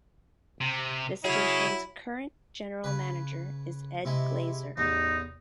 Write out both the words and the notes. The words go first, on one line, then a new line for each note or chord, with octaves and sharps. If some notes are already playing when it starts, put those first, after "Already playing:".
The station's current general manager is Ed Glazer.
C3
F#3 E4 G#4 C#5
C#3 B4
C3 G#3 E4
A1 E2 D#4